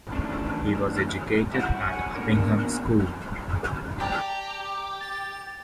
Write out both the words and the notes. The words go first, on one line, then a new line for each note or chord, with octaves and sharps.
He was educated at Uppingham School.
D#3 E3 A3 C#4 D4
G3 E4 F#4 F#5 G6
C#5 F#5 G#5
A#3 B3 D4 A#4 C#5
G4 D5 G5 A5 A#5
A6